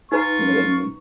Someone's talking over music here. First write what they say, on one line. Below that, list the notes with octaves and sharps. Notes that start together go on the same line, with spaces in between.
you know what I mean?
D#4 F4 B4 A#5 C#6